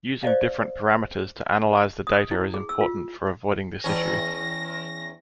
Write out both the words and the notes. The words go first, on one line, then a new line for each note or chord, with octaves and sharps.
Using different parameters to analyze the data is important for avoiding this issue.
C5 D5 D#5 F5
D#6
E4
G#4
E6
F4
E2 C#4 A#6